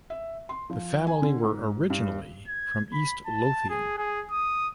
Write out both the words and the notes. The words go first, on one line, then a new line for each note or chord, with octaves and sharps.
The family were originally from East Lothian.
E5
C6
F3
G#5
D3
G#2
G2
G#6
B5
A5
G#4
G#4
D#6